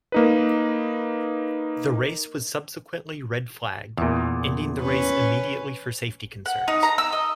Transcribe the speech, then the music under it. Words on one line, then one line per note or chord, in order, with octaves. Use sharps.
The race was subsequently red flagged, ending the race immediately for safety concerns.
A#3 D#4 B4
E2 A#2
C#4 B4
F#5
D#4
A#5
E6
D#5